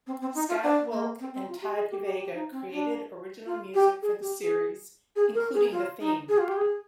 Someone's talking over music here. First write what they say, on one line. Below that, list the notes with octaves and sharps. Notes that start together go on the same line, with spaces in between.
Scott Wilk and Todd Yvega created original music for the series, including the theme.
C4
C4
D#4
F4
D4
A#3
C4
C4
F4
G4
G#4
G4
G4
G4
D#4
C4
D4
F4
G4
G#4
G4
G#4
G#4
A#4
G#4
F4
D#4
G#4
F4
G4
G#4